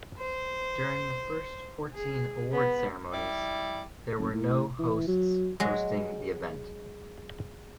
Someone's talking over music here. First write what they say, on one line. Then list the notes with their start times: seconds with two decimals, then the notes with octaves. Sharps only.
During the first fourteen award ceremonies, there were no hosts hosting the event.
0.18 C5
1.93 G#4
2.52 B3
3.13 G3 E4 D5
4.18 F#1
4.35 A2
4.79 E3
5.08 F#3
5.60 F#3 G#3